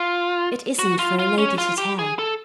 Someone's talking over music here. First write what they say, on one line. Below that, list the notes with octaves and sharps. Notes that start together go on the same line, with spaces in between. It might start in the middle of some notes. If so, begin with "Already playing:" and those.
'It isn't for a lady to tell.'
Already playing: F4
F#4
F4
F4
C#4
F4
G4
G#4
A4